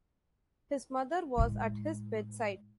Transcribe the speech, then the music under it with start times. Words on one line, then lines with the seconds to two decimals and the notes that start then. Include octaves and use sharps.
His mother was at his bedside.
1.38 A2 G#3